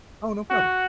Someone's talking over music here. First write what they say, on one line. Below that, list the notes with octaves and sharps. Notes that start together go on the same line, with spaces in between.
Oh, no problem.
F#4